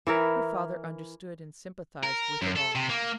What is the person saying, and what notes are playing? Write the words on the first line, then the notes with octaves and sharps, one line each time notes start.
Her father understood and sympathized with it all.
E3 E4 A#4
A#4
F#2
A4
C3
A#3